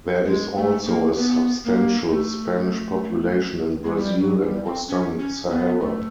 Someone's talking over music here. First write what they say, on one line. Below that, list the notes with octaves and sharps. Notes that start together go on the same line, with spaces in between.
There is also a substantial Spanish population in Brazil and Western Sahara.
G#3
A3
A#3
B3
A#3
A3
G#3
G3
F#3
G3
C4
C#4
C#4
B3
A3